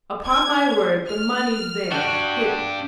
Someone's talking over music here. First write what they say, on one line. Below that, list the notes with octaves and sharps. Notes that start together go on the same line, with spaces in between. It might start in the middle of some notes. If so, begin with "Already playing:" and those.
"Upon my word, the money's there, hidden."
G#6
F6
D4 F#4 G5